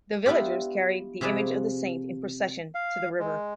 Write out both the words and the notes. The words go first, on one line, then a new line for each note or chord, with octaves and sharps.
The villagers carried the image of the saint in procession to the river.
B3 D4 E4 F4 G4
C3 F3 G#4 B4 D5
F5
G#3